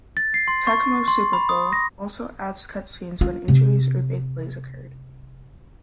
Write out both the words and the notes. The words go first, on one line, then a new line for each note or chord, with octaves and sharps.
"Tecmo Super Bowl" also adds cut scenes when injuries or big plays occurred.
A6
C7
C6
C#6
C6
B5
D#6
A#6
F4
C3